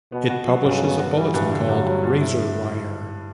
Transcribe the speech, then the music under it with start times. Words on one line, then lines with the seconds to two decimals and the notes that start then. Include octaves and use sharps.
It publishes a bulletin called "Razor Wire".
0.12 B2 B3
0.30 F#4
0.48 F#3
0.65 G2 C#3
0.82 B3
0.99 F#4
1.16 E3 G3
1.34 G2
1.52 D3
1.68 G2 F#3
1.86 G3
2.04 G2
2.21 E4